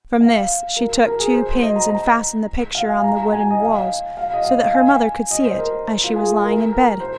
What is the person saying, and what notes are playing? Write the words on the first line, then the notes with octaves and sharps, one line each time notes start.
From this she took two pins, and fastened the picture on the wooden wall, so that her mother could see it as she was lying in bed.
F5
A#4
A#4
G#4
C5
C5
D#5
A#5
A#5
F5
G#5
A#5
A#5
G#5
D#5
F5
F5
D#5
F5
F5
G#5
D#5
C5
A#4
F4
G#4
A#4
A#4
C5